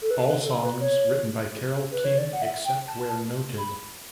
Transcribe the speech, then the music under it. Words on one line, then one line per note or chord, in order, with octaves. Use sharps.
All songs written by Carole King except where noted.
A4
B4
B4
A4
B4
C#5
B4
C#5
D5
F#5
E5
G5
A5
B5